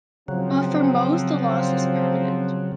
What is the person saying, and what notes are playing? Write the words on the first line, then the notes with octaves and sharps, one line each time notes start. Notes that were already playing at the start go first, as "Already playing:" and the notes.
But for most, the loss was permanent.
C#3 F3 F#3 C4